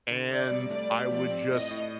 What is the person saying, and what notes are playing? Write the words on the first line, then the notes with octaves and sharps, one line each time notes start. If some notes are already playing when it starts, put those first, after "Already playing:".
and I would just
D3
C3 D5
G3
A3 D5
G4
F3 D5
C4
A2 D#5
A2